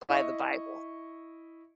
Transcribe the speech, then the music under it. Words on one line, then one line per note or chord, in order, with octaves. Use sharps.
by the Bible.
E4 D#5 E5 C#6